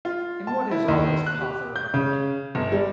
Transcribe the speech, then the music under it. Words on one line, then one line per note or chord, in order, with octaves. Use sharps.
And what is all this pother about?
F4
A5
E4
D#2
F#6
G4
G6
C#3
G1
G3